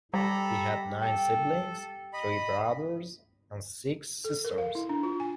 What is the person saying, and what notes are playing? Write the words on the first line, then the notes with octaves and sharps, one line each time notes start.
He had nine siblings- three brothers and six sisters.
G3 G4 A4 A#5 B5
A4 G5
D#5 B5
A4
A#4
F5
E4
D4
F4
G#5